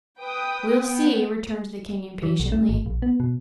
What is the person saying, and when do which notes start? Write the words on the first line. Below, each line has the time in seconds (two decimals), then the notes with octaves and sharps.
"We'll see," returned the King, impatiently.
0.20 B4 G5 D#6
0.83 B3 G5
2.23 E3
2.40 B1
2.52 A3
2.69 G#1
2.86 A#1
3.02 B3
3.20 B2